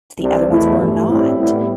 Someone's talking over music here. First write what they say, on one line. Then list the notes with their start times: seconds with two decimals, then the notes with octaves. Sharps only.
the other ones were not.
0.19 C2 C3 G3 D4
0.48 E2 B2 A3 E4
0.78 G2 E3 A3
1.08 A2 G3 C4 E4
1.37 A2 G3 B3 E4